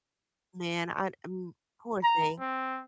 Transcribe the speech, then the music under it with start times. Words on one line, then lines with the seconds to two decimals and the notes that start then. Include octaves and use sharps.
man, I, m poor thing,
2.03 A#5
2.40 C4